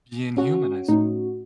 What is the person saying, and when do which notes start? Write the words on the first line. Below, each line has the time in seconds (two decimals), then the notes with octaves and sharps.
being human, I suppose.
0.37 C#4 F#4
0.89 A2 D#4